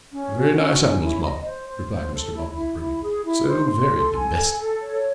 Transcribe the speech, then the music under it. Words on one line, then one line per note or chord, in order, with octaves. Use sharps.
'Very nice animals, ma'am,' replied Mr. Bumble, approvingly; 'so very domestic.'
C#4
F#4
C#4
C#4
E4
D#5
C5
C5
C5
A4
E4
E4
E4
G#4
E4
C5
C6
A4
G#5
A4
A4
C#5